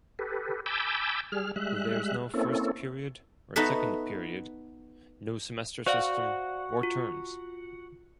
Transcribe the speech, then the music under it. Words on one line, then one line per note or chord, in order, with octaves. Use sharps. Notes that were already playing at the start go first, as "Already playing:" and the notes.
There's no first period or second period, no semester system or terms.
G4 A4 B4
G#5 A5 B5 D6 E6 G6
G3 G#4 F6
G3 G#3 E5 F#6
A#3 C4 C#4 E4 A4
B3 D#4 F#4 A4 B4 E5
F#4 C5 D5 F5 F#5
F4